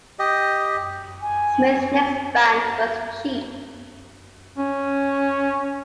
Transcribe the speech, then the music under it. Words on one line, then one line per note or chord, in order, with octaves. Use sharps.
Smith's next band was Cheap.
G4 D#5
G#5
C#4